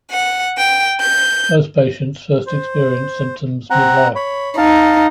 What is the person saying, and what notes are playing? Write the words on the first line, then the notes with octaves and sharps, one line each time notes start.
Most patients first experience symptoms midlife.
F#5
G5
G6
C5
C4 F#5 A#5
C#5 B5
D#4 F5 A5